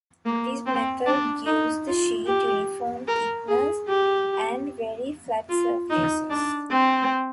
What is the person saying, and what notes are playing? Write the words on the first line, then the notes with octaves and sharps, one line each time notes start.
This method gives the sheet uniform thickness and very flat surfaces.
A#3
C4
D4
D#4
F4
G4
A#4
G#4
G4
F4
D#4
D4
C4